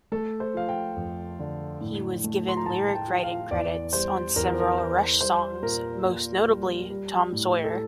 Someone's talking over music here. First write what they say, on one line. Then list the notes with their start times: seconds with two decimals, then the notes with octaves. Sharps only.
He was given lyric-writing credits on several Rush songs, most notably "Tom Sawyer".
0.12 A3 A4
0.40 C5
0.54 F3 F5
0.69 G5
0.96 F2
1.40 D3
1.81 A2
2.24 A3
2.48 C6
2.57 A#5
2.66 A2 A5
2.88 A5
2.95 G5
3.08 F3
3.23 F5
3.51 E2 D5
3.93 G3 C5
4.36 E2 A#4
4.48 C5
4.60 A#4
4.78 E3 C5
5.21 G3 C5
5.62 A#2 A#4
6.05 A#2
6.48 G3
6.90 G3
7.32 A2
7.64 A4